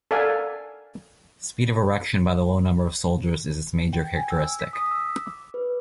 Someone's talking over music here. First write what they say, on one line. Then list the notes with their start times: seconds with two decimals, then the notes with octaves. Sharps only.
Speed of erection by the low number of soldiers is its major characteristic.
0.11 A4 A#4 D5 F5 F#5 G#5
3.93 G5
4.17 G#5
4.30 E6
4.60 B6
4.73 D#6
4.91 E6
5.26 D6
5.54 B4